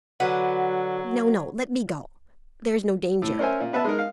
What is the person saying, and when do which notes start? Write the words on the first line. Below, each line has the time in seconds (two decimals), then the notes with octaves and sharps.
"No, no, let me go, there's no danger."
0.20 D3 F#3 B4 F#5
3.22 A2
3.39 C#4 A#4 C5 E5 G#5
3.60 A#2
3.73 B3 B4 E5 A5
3.84 G#3 D#4 A#4
3.99 F5